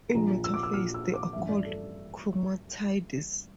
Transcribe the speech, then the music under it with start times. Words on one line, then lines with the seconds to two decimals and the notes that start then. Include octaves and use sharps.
In metaphase, they are called chromatids.
0.14 A#1 A#2 F3 A#5
0.44 E6
0.54 D6
0.63 E6
0.73 A#1 A#2 F3 F6
0.94 E6
1.14 D6
1.33 A1 G2 F3 E5
1.49 D5
1.64 A4